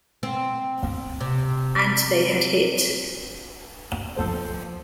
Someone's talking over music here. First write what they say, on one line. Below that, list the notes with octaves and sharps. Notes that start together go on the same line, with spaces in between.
And they had hit.
C4
C3
F3 A4 C5